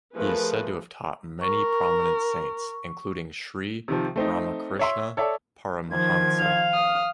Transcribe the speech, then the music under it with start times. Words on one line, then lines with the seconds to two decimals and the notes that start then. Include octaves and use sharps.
He is said to have taught many prominent saints, including Sri Ramakrishna Paramahansa.
0.14 F3 A3 G#4 A#4 B4
1.41 A#4 C#6
3.88 C3 D#3 F3
4.16 A3 C4 D#4
4.79 C#5 E5 C6
5.17 A4 C#5 D5 E5
5.90 D#3 F3 G#6
6.40 F5
6.72 D#6 F6